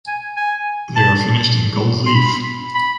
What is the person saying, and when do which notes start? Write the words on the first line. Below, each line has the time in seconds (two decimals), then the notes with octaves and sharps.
They are finished in gold leaf.
0.07 G#5
0.37 G#5
0.96 A5
2.06 C6
2.15 B5
2.75 B5